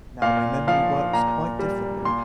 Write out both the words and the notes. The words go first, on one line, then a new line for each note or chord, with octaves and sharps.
Now my memory works quite differently.
A#2 F5
F3 F5
A#2 A#5
G3
A#2 C6